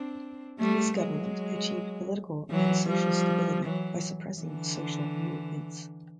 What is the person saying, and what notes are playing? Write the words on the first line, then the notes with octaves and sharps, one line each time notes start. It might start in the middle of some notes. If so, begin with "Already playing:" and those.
His government achieved political and social stability by suppressing social movements.
Already playing: C4 D4
G3 A3
F#3 G#3
E3 F#3
F3 G3
E3 F#3
D3 E3